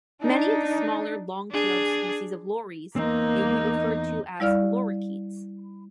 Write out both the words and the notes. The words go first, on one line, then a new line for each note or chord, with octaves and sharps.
Many of the smaller, long-tailed species of lories may be referred to as "lorikeets".
D4 D#4
D4 G#4
E2 A#3 C4 D#4
G3 E4 D5 F5 F6